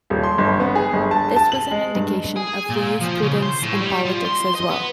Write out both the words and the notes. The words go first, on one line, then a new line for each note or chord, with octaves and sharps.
This was an indication of Liu's prudence in politics as well.
D#1
C6
G1
B3
G#4
G1
A5
A5
F#7
G#3
G2
G#4
A#2
F3
C#3
C5
A2
G3
F3
C6
D#5
B3